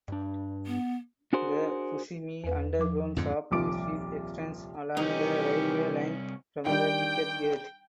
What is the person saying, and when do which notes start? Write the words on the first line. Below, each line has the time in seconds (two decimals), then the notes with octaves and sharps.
The Fushimi Underground Shopping Street extends along the railway line from the ticket gate.
0.08 G2 D4
0.67 B3
1.33 D4 F#4 G#4 A#4 C5
2.44 E2 B4
2.79 F3 D6
3.17 F2 G#2 D3
3.51 D#1 C2 F3 F4 D6 D7
4.97 C2 E3 C#4 D#4 G4
6.66 D#3 G3 D4 G5